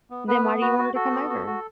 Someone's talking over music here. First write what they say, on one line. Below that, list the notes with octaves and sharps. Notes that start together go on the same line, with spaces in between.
Then why do you want her to come over?
B3
B3 B4
B3
F#4 B4
F#4
F#4 A4
B3
F#4
F#4